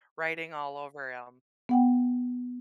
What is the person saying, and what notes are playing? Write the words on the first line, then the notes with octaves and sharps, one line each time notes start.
writing all over 'em.
B3 F#5 G5